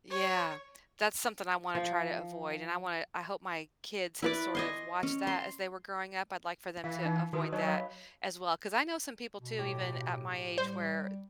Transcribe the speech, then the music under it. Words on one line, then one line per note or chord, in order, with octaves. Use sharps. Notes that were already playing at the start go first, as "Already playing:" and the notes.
Yeah. That's something I wanna try to avoid, and I wanna I hope my kids have sort of watched that as they were growing up, I'd like for them to avoid that as well. 'Cause I know some people too even at my age where
C#5
F3
E4 B4 D5
D#5 G#5 C6
C#4
C6
E3 F5
D#4
D#3 F#4 B4 D#6
F#3 D#4 C#5 D#5
C#5 F5 B5
B2
A2 G4 C#5
G3 C5